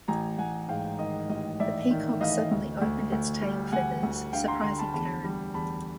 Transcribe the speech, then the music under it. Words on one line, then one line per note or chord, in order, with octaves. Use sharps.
The peacock suddenly opened its tail feathers, surprising Karen.
A1 G#5 A#5
A1 F#5 G#5
G#2 F5 G5
D#3 D#5
A1 D#5
A1 D5 E5
D#3
A1 D#5 F5
D2
D2
D2
G3
D2 F#5 G#5
D2
D3 F5 G5
A#5 C6
D3 A#5 C6
A5 B5
E2 A5 B5
G3
E2 A5 B5